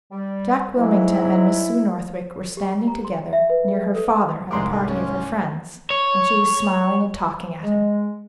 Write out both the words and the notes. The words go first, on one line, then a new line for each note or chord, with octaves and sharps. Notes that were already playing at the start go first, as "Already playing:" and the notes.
Jack Wilmington and Miss Sue Northwick were standing together near her father and a party of her friends, and she was smiling and talking at him.
G3
G#2 F#3 E4
G4
A#5
C6
E5
B4
G#4
A4
C2 G#2 G3 G#3 A#4 C6 D6
D3
C#4
C#5
G#3